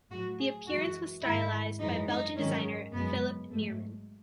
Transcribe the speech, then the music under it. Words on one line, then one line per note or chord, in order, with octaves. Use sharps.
The appearance was stylised by Belgian designer Philippe Neerman.
A2 F#3 F#4
G#4
F#2 E3 G#3 F#4
G#2 D#3 G#3 E4
F#2 E3 G#3 D#4
D#4
G#2 D#3 F#3 C#4
F#2 C#3 G#3 B3
G#2 F#3 A3